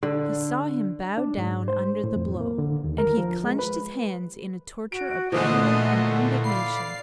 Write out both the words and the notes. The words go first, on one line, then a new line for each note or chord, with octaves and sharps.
He saw him bowed down under the blow, and he clenched his hands in a torture of anger and indignation.
D3
D4
G#2
C5
A2
F2
A#3
D3
D#2
A#4
F3
G#3
B4
F#4 D7
A#2 D3 E3 F3 A3 D#5 D#6
F#5
D5 F5 B5 C7